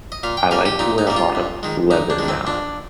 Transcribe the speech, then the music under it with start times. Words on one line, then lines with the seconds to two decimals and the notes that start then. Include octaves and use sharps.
I like to wear a lot of leather now.
0.12 D#5
0.23 A#2 F5
0.37 G5
0.51 G3 A#3 F5
0.66 G4
0.79 A#2 D#4
0.98 D#4
1.07 G3 A#3
1.16 F4
1.35 G2
1.63 D#3 G#3
1.91 G2 D#4
2.10 D4
2.19 D#3 G#3
2.28 C4
2.47 F2 D4